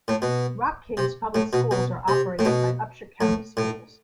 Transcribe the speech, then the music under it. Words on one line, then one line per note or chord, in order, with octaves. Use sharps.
Rock Cave's public schools are operated by Upshur County Schools.
A2
B2
C3
A2
B2
B2
C3
A2
B2
A2
A2